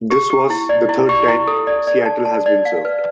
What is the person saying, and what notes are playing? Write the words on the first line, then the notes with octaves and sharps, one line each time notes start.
This was the third time Seattle has been served.
G4
G4
E4
D5
E4
G4
E4
A4
D5
D5
A5
A5
D5
F5
B4